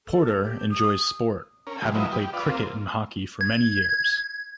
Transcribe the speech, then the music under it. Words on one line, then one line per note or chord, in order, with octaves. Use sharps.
Porter enjoys sport, having played cricket and hockey for many years.
A4
G4
D#6
C#4 A#4
B2 F3 G3 G#3
F3 F#3 E4 B4 D#5
G4
F4 B4 D5
A#3 C4 F4
G#6